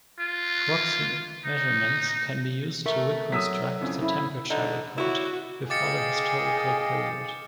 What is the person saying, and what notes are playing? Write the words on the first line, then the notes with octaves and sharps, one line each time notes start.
Proxy measurements can be used to reconstruct the temperature record before the historical period.
F4
D#4
A4 A#4 E5 C#6
F#3 D#6 E6 B6
F2 A2 C#3
E4
D3 D#4
E4 F#4 C#5 D5
G#4 D#5 F5 G5 D6 A6 C#7